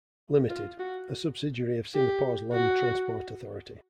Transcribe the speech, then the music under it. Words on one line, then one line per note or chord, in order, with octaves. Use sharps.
Limited, a subsidiary of Singapore's Land Transport Authority.
F4
F#4
G4
F#4